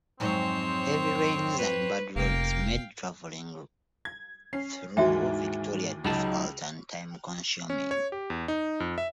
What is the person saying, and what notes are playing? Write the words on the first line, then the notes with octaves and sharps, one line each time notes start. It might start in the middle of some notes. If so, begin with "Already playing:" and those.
Heavy rains and bad roads made travelling through Victoria difficult and time-consuming.
F2 G#2 F#3 C4 C5 C#5
B4
F1 A#3 F5 G5
G#6
C#4 C7
D#2 G#2 E3 F#4 E5 G5
C#2 F#3 D#4 A5
C#4
C#5
G4
E2
D#4
F2
E5